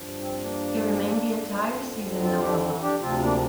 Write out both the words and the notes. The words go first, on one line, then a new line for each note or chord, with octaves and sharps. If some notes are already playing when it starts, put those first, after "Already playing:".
He remained the entire season in Omaha.
Already playing: G2 F3
C4
A#3 D4
F2 D3 F3
C4 F4
D4 G4
D4 G4
D2 C3 F3 C4 F4
A#3 D4